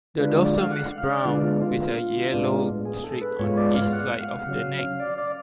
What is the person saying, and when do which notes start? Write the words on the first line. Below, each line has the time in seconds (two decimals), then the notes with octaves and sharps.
The dorsum is brown, with a yellow streak on each side of the neck.
0.18 D3 G#3 D4 F4 B4
0.31 F#4
0.45 D5
0.58 F5
0.72 F#5
0.98 F5
1.11 D5
1.25 D3 G#3 B3 D4 F4
1.43 F4
1.61 F4
2.32 A2 G#3 B3 D4 F4
2.85 G#4
3.04 A4
3.21 B4
3.39 G#2 G#3 B3 F4 C#5
3.57 D5
3.75 F5
3.93 F#5
4.19 F5
4.46 C#3 F#3 C#4
5.00 D5
5.18 D5